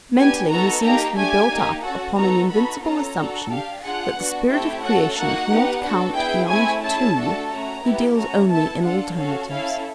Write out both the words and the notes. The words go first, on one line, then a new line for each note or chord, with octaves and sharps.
Mentally he seems to be built up upon an invincible assumption that the Spirit of Creation cannot count beyond two, he deals only in alternatives.
B3 D4 G4 G#5
B3 D#4 F#4 A4 A#5
A#3 D#4 G4 A#5
A3 D4 G4 G#5
A#3 D#4 G4
C#4 F#4 A4 F#5
B3 D#4 F#4 A4 A#5
B3 D#4 F#4 A4 B5
C#4 F4 A4 A#5
D4 F#4 A4
D4 G4 F5
D4 F4 G#4 F#5
B3 D4 F#4
A3 C4 E4 G4 G5
C#4 F#4 A4 F#5
A#3 D#4 F#4 F#5
B3 D#4 G4
D4 F#4 A4
B3 E4 G#4 G5
A3 C4 E4 G#5
C#4 E4 G#4 A5
A3 D4 F#4 A4
A3 C#4 F#4 A#5
B3 E4 G4
A3 C#4 F#4 A#5
B3 E4 A4 A5
D4 F4 A4 F#5
C#4 F#4 A4 F5
C#4 E4 A4 F5